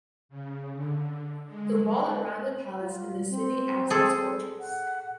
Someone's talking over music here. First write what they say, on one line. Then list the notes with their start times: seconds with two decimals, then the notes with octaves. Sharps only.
The wall around the palace and the city acts as fortress.
0.29 C#3
0.72 D3
1.46 G#3
2.81 F4
3.30 C4
3.90 G#4 A4
4.60 F#5